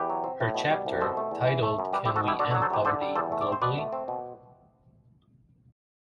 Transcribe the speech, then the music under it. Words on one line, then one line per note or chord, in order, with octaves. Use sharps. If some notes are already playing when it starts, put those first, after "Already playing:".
Her chapter, titled Can We End Poverty Globally?
Already playing: E2 G4 B4
F#3
C4
A2
B2
G3
C2
B2 A4 C5
A3
E2
E3
A3
F#2
G3 G4 B4
E4 G4
C4
F#4 A4
B2 E4 G4
D3 D4 F#4
F#4 A4
F#3
A4 C5
E2 G4 B4
D3 A4 C5
G3
E2 A4 C5
A3
D5
C4
C5
B2 B4 D5
A3
C4
B2